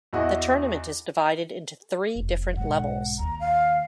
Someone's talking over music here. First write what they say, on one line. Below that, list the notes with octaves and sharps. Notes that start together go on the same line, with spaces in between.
The tournament is divided into three different levels.
E2 E4 F#4 D#5 F#5
F1
B1 G#2 F#5
D#2 A#5
F5